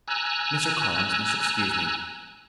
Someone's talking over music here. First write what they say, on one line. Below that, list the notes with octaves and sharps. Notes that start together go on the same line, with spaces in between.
Mr. Collins must excuse me.
G#5 A#5 E6 F#6